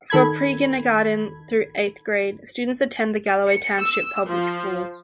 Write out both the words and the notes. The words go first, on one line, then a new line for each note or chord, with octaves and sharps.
For pre-kindergarten through eighth grade, students attend the Galloway Township Public Schools.
D#3 A4 B5 G#6
C#7
E6
F3